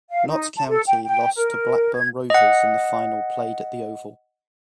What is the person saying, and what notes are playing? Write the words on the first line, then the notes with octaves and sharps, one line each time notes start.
Notts County lost to Blackburn Rovers in the final played at The Oval.
F5
D#4
A5
A4
G5
G5
A#4
G#6
D#5 F#5